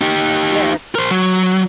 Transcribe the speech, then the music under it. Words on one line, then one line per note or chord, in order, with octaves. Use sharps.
"Not yet."
D#4 G4
A#4 C5
F#3